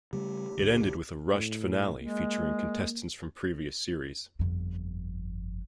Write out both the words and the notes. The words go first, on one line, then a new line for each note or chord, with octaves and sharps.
It ended with a rushed finale featuring contestants from previous series.
C#3 G3 A3 G4
C#2 A2 D3
A2
G#3 A#3
G1 F2